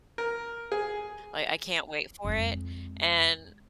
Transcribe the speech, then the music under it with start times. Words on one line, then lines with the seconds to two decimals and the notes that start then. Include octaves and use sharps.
I I can't wait for it, and
0.18 A#4
0.72 G#4
2.25 F2 G#3